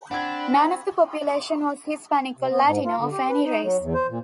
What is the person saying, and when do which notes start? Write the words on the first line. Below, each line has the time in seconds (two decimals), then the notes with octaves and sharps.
None of the population was Hispanic or Latino of any race.
0.11 C4 D4 F#5 B5 G#6
2.37 C3
2.50 B3
2.64 G#2
2.85 F4
2.99 D3
3.11 G4
3.30 B4
3.44 D#4
3.63 F#3
3.80 E2
3.94 C5
4.09 A#2